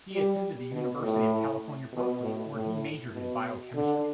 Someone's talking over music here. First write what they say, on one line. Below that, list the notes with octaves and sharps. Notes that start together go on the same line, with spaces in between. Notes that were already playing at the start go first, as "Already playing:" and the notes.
He attended the University of California, Berkeley where he majored in biochemistry.
G3
B2
A2
B2
A2
A2
B2
D3